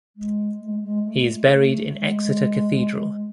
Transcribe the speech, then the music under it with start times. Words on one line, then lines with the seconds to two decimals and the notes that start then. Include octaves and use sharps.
He is buried in Exeter Cathedral.
0.16 G#3
0.60 A3
0.68 G#3
0.83 G#3
1.05 A3
1.51 A3
1.95 G#3